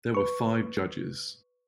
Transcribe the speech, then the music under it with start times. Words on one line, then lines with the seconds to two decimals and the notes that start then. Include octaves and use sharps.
There were five judges.
0.14 B4 C#6